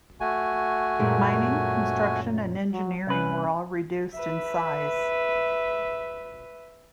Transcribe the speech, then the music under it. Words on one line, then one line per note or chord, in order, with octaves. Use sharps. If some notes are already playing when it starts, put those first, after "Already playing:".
Mining, construction and engineering were all reduced in size.
A3 F#4 G#5
F#2 A#2 G#3
F#3
C2 C#4 B4
B4 E5